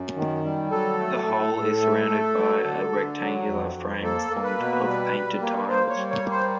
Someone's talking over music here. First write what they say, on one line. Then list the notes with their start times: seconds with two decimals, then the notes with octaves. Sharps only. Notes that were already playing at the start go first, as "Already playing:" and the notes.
The whole is surrounded by a rectangular frame formed of painted tiles.
Already playing: F#2
0.16 D#3
0.44 G3
0.71 F#3 A4
0.99 A3
1.27 A2
1.54 A2
1.82 A3
2.10 A3
2.38 F#3
2.65 D3
2.93 D3
3.20 F#3
3.48 F2
3.75 F2
4.03 A#3 A4
4.31 A#3
4.44 B4
4.58 B2
4.86 G3
5.13 G3
5.42 A#3
5.69 A#3 C5
5.90 C#5
5.96 G3
6.11 C#5
6.24 A#3
6.31 C5